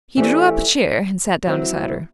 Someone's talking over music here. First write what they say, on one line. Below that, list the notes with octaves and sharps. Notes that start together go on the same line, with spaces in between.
He drew up a chair and sat down beside her.
E3 A3 C4 G4 D5
F#3 C4 E4